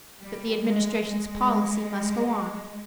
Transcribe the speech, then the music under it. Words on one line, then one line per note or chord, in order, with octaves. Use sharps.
But the Administration's policy must go on.
G3
G#3
G#3